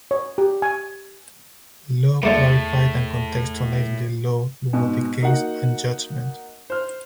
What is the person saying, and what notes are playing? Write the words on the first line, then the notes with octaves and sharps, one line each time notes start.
Loh clarified and contextualized the law throughout the case and judgement.
C#5
G4
G#5
E2 A2 D3 A3 A#3 G#4 A6
G#2 B2 G#5
A#3 D#4 F#4 F#5
C5 F6